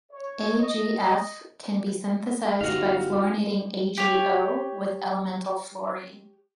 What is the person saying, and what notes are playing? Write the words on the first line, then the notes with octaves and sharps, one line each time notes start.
AgF can be synthesized by fluorinating AgO with elemental fluorine.
C#5
D#5
G1 B2 C#4 D#4 E4 F#4 G4 F5
G4 C#5